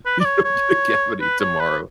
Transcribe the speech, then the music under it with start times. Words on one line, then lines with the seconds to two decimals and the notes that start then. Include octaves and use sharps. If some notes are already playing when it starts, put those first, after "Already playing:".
you don't get a cavity tomorrow.
0.06 B4
0.20 D5
0.25 C#5
0.45 C#5
1.21 B4
1.41 C#5
1.60 B4